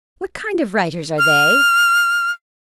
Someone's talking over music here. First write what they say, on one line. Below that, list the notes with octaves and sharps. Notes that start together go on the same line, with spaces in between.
What kind of writers are they?'
F6